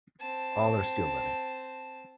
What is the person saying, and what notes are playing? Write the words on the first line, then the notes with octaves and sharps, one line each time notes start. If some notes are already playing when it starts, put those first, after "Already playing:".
All are still living.
C4 A5